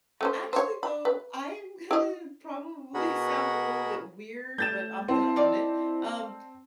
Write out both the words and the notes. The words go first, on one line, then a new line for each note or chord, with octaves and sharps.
actually though, I'm gonna probably sound a little bit weird, but I'm gonna own it. Um,
A3 C#4 C5
C5 C#5
B5
B4
E4 D#5
B2 F#4 G#4 A#4 F#5 B5
A3 G6 A6 E7
C4 E4 A5 C6
D#4 F4 D5